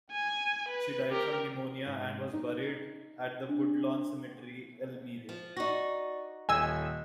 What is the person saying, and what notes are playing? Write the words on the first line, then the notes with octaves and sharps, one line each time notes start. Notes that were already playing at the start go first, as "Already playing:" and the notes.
He died from pneumonia, and was buried at the Woodlawn Cemetery, Elmira.
G#5
B4
G4 A#4
G#2
D#4
D4
F3
D#4 F#4 D5 C#6 A#6
D#1 D#5 G#5 E6